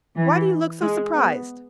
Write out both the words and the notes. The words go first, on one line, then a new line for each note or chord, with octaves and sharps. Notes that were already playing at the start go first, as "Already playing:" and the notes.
Why do you look so surprised?
E3
G#3
B3